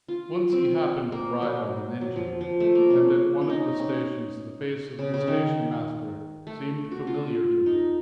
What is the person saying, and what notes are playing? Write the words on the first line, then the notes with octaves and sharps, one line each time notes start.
Once he happened to ride on an engine, and at one of the stations the face of the station-master seemed familiar to him.
F4
C4
A#3
F#3
F#3
F3
F3
A3
A#3
C#4
C#4
D#4
C#4
C#3
C#3
D#3
A3
F#4
F4
D#4